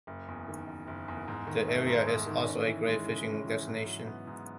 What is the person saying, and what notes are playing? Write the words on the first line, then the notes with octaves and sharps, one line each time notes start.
The area is also a great fishing destination.
F#1
E2
D#3
F#1
F#1
E2
G#2
D#3
A3
G#2
G#2
D#3
C#4
E3
G#3
C#3
C#4
E3
G#2
F#3
B3
G#2